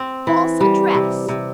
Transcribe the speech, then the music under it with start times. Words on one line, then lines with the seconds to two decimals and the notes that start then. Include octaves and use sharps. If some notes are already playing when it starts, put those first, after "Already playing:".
"False address!"
Already playing: C4
0.27 E3
0.61 G3
0.95 C3
1.29 C3